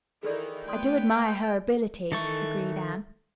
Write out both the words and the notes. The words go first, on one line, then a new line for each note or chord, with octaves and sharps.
"I do admire her ability," agreed Anne.
D#3 E3 D#4 G#4 A4 D5
A3 B3 B4 D5 G5 C6 D#6
D#3 E3 A3 A4 C#6